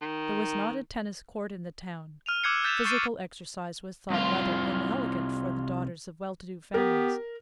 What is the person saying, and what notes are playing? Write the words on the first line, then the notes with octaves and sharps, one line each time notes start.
There was not a tennis court in the town; physical exercise was thought rather inelegant for the daughters of well-to-do families.
D#3
F6 D#7 F7
D6 E6 F#6 G#6 C7 C#7
F#6 G6 A6 B6 E7 F7
C#6 G6 A6 C7 D7 D#7
C2 F4
B3 G4 A#4